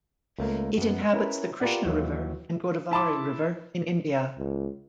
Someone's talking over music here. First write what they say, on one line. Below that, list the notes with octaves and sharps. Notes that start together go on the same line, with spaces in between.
It inhabits the Krishna River and Godavari River in India.
C#2 A3 A#3
F#2 B3
C#4 E4 A#4 B4
F4 G4 A#4 B4 D5 F#5
D#2 E3 F#3 F5
E4 E5 A5 B5 C6 D6
C#2